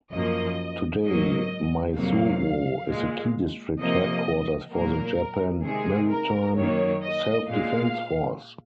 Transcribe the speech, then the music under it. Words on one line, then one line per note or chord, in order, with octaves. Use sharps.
Today, Maizuru is a key district headquarters for the Japan Maritime Self-Defense Force.
F#2 F3 A#3 D#5
G#2 F#3 A#3 D#5
F2 C3 F#3 A#3 F5
A#2 G#3
C3 F3 A#3 D#5
A#2 F#3 A#3 A#4
C3 D#3 G#3 G#4
A#4
F#2 D#3 F#3 A#3 C#5
D#5
A#2 G#3 F5